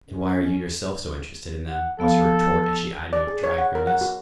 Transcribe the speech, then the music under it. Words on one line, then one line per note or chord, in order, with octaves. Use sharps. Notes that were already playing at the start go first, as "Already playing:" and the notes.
"And why are you yourself so interested in them?" was her retort as she eyed me with dry grimness.
C#4
F#5
F3 B3 A4 F5
D5
G#4
C#5
F#5
A#4
F#5
F#4